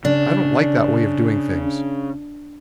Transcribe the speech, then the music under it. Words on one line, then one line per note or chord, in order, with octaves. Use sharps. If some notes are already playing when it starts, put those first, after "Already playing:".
I don't like that way of doing things.
C#3 D4